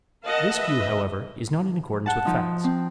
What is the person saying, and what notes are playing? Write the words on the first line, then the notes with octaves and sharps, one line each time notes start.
This view, however, is not in accordance with facts.
A#4 D#5 F5 F#5 A5
B4 D#5 E5
F#5 A5
F3 D#4
C4